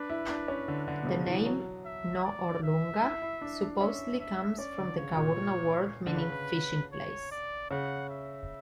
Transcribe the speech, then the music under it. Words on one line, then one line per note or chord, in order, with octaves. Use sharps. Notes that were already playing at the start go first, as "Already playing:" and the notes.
The name "No-orlunga" supposedly comes from the Kaurna word meaning 'fishing place'.
Already playing: D4 B4
E4
D4
C#4
D3
D3
B2
C#3
E3
F#3
E5
D5
E5
E4
E4
D4
D4
C#4 E5
E5
C#4 D5
D3
C#3 C#5
A#2
D3
C#3 B4
C#5
D5
C#3 F#5
E5